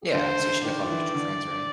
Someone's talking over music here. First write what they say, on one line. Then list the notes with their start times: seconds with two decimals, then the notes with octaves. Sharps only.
Yeah. So you should have a lot of mutual friends, right?
0.13 D3 C5
0.40 D3
0.64 D#3 D5
0.89 E3
1.14 D3